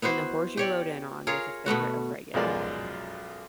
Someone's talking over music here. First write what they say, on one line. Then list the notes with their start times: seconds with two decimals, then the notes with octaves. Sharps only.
"And the horse you rode in on" was a favorite of Regan.
0.02 B3 E4 F#4 C5
0.57 G4 C#5 D5
1.27 F4 G#4 A#4 C#5
1.66 B2 A3 B3 F#4
2.34 B1 F#2 F3 G#3 A#4 D5